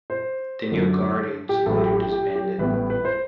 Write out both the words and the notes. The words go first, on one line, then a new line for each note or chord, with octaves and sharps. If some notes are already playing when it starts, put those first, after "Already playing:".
The New Guardians later disbanded.
C5
F#2 D3 F#3
G4
A1 A2 F#3 A4
G4
G4
G4
G4
A1 A2 G3 B3 B4
B4
B4
C5